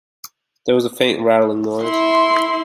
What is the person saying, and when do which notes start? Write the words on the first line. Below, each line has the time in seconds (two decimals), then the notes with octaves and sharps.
There was a faint rattling noise.
1.82 E4 C6